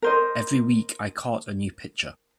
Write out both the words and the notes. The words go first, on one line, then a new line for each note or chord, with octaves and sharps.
Every week I caught a new pitcher.
A#4 C5 D#5